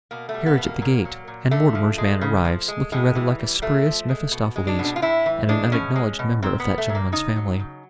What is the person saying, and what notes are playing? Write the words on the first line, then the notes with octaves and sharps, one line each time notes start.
A carriage at the gate, and Mortimer's man arrives, looking rather like a spurious Mephistopheles and an unacknowledged member of that gentleman's family.
B2 A#3
A3
G3
B3
B2
A#3
A#2
F#3
A#2
D3 A3
F3
G#3
C#3
F3
G#3
A2 G#3
E3
G3
A#2 A3
F3
G#3
B2
G#3
D4
B2
D4
F4
A2 E4
E3
G#3 D4
B2 C#4
G#3
B2
A#2 C4
B3
G3
A3
A#2
A#3
C#3 D#4
F#3
C#3